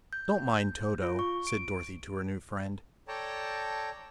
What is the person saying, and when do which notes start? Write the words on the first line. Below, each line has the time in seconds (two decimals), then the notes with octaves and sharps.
"Don't mind Toto," said Dorothy to her new friend.
0.13 G6
1.02 F4
1.19 C#6
1.47 D7
3.08 A4 C#5 D5 G5 A5 A#5